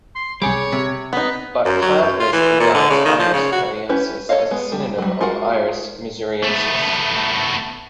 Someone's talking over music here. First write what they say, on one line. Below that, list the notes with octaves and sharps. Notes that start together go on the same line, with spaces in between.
But Plant List regards 'Iris pariensis' as a synonym of 'Iris missouriensis'.
C6
C2 G3 G#4 C#5 D6
C3
B3 D#4 B4
F#2
F#3
F#2
F4
E3
A#2
D3
C#3
D#3
F3
C#3
F#4
C#4 E4 G4 B4
A4 C5 C#5 D#5 F5
G#3 B3
G3
F#3 G3
G#3 F4 F#4 A#4 F#5
A3 B3